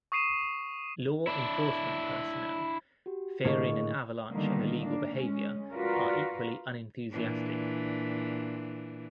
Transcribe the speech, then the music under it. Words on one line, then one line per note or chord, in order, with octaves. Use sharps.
Law enforcement personnel, fearing an avalanche of illegal behavior are equally unenthusiastic.
C#6 D#6 C7 D#7 E7
D4 E4
F#4 G4
A2 D3 A#3 G#4 D#5 C#6
D3 D#3 G3 A#3 B3
A#3 D4
G#3 C#4
F4 F#4 A#4 B4 D5
A#2 E3 D4